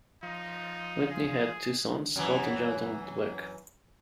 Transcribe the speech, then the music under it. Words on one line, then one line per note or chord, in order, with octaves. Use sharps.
Whitney had two sons, Scott and Jonathan Dweck.
F3 D#4
G#4
F#2 E3